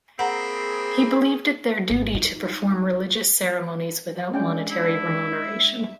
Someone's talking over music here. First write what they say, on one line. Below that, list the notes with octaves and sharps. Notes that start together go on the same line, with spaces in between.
He believed it their duty to perform religious ceremonies without monetary remuneration.
A#3 C4 G#4 F#5 A#5 B5
G#1
D#4
G#3 C#4 D4 D5 G5
D3 E4
E5